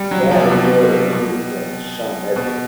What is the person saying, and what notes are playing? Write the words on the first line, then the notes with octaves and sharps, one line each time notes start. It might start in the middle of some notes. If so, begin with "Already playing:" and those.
They had a daughter, Ruth, and a son, Edward.
Already playing: G3
F#3
F3
C3
B2
B2
B2